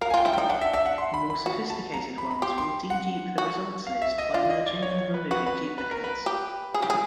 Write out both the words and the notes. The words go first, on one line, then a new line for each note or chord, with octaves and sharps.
More sophisticated ones will de-dupe the results list by merging and removing duplicates.
A#4 F5
G#5
F4 G5
E4
D#4 G5
D4 F#5
E5
D4 E5
F#5
C6
B5
B5
F#4
A5
A#5
B5
B5
G4 C6
C6
F#5
F#4
F5
E5
D#5
F4 D5
D#5
D5
C#5
C#5
B4
F#4 B4
B4
B4
A#4
B4
G4
G#4
G4
G#4